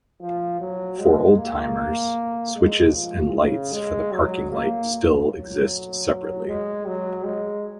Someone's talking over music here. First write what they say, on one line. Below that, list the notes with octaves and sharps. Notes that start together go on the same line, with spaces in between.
For old-timers, switches and lights for the parking light still exist separately.
F3
F#3
G#3
A#3
G#3
F3
C#3
G#3
F#3
A#3
F#3
G#3
F#3
G#3